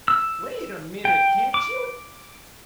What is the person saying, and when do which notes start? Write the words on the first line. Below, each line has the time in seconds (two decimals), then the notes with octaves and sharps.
"Wait a MINUTE, can't you?"
0.08 E6
1.05 G5
1.54 D6